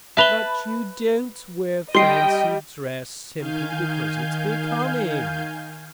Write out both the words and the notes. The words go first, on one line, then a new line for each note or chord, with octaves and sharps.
"But you don't wear fancy dress simply because it's becoming."
B4 E5 A5 F7 G7
G3 D#5 G5 C6 C7
D#3 F5 G#5 G6